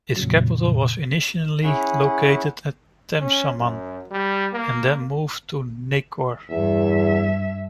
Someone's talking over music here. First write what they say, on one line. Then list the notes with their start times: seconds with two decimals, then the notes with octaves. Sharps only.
Its capital was initially located at Temsaman, and then moved to Nekor.
0.16 F2 A#2 C#3 F#3
1.63 C#4 E4 G#4 F#5
3.21 C#4
3.58 F#2
4.11 G3
4.53 A#3
6.50 E2 G2 E5